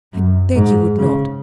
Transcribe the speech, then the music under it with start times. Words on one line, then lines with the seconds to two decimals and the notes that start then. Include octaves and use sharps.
I beg you would not.
0.13 F#2
0.56 G#2
0.98 C#3